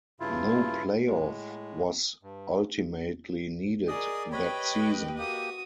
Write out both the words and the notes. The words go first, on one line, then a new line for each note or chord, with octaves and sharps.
No play-off was ultimately needed that season.
G2 C#3 E4 F4
A2 G#3
G2
G#4 A#4 D5 D#5 D#6
G4 B4 C#5 D#5 G5 B5
A#3 F#4 G4 D#6